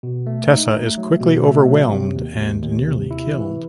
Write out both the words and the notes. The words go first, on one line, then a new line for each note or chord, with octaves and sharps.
Tessa is quickly overwhelmed and nearly killed.
B2
A3
D#4
A3
F#3
B2
A3
F#3
C3
D#2
D#2
D#2
C3
E4
E3